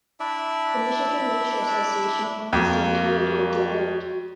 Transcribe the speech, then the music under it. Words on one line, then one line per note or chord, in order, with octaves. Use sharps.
The Michigan Nature Association owns the entirety of the island.
D4 E4 D5 E5
F2 A#3 F#4